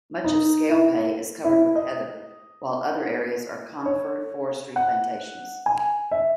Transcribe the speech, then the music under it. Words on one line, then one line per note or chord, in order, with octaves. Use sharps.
Much of Scalpay is covered with heather, while other areas are conifer forestry plantations.
D#4
E4
E4
D#5
C#5
F#5
G#5
E5